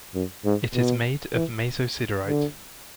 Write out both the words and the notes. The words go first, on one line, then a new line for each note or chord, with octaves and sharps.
It is made of mesosiderite.
F#2
G#2
B2
E3
D3